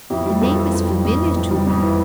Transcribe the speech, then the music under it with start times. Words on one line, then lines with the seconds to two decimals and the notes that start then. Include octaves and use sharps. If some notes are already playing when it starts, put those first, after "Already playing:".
The name is familiar to me.
0.10 F2 E4 G4
0.26 G3
0.41 F2 F4 A4
0.57 E3
0.73 F2
0.88 G3
1.04 F2
1.20 E3
1.36 F2
1.51 G3
1.67 F2
1.82 E3